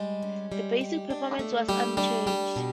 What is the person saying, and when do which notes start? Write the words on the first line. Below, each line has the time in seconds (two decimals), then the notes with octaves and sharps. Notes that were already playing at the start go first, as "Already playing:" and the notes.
Basic performance was unchanged.
Already playing: G3 G#3
0.23 C#4
0.52 G3
0.81 G4
1.10 D4
1.39 A3
1.69 G3 G4
1.97 G3 D4
2.26 G3 G4
2.56 B2